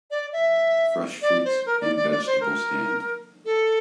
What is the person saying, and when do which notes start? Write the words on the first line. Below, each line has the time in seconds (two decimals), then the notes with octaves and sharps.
Fresh fruits and vegetable stand.
0.11 D5
0.33 E5
1.22 D5
1.45 C5
1.66 A#4
1.81 D5
1.96 D5
2.11 D5
2.27 C5
2.41 A#4
3.45 A4